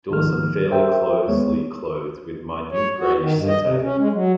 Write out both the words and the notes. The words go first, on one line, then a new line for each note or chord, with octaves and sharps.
Dorsum fairly closely clothed with minute greyish setae.
C#2 G#2 D#3 F3 F6
G#4 A#4 C5 E5 G5
D#2 G#3 B3 C#5
C#5
F#4
D#3
G2
D#5
C3
C#4
G#3
F#3